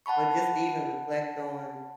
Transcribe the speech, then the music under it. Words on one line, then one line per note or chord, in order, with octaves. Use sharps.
But just to even reflect on,
F#5 A5 B5 C#6